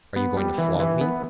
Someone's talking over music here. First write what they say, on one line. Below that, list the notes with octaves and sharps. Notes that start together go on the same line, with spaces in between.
Are you going to flog me?
B3
G3
E3
E3
B3